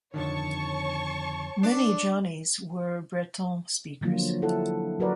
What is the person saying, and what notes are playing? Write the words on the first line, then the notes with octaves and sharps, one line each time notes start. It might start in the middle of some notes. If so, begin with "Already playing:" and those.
Many Johnnies were Breton-speakers.
F2 D3 D#3 C#5 A5 C#6
D4
D3 F3 F#3 A#3 F4
E4 A4 F#5
F#3 F#4 A#4 B4 D5